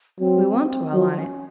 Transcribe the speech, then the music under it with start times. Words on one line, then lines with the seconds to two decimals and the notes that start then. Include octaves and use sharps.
We won't dwell on it.
0.19 F#3 C4
0.94 F3 F#3
1.18 C#4